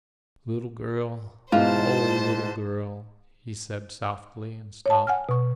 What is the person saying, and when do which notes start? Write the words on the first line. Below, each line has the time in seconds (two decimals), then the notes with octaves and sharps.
"Little girl--oh, little girl," he said softly, and stopped.
1.52 G#2 B2 E4 F4 C5 A5
4.86 C#5 A5
5.07 F#5 G#5 F6
5.29 B2 C#6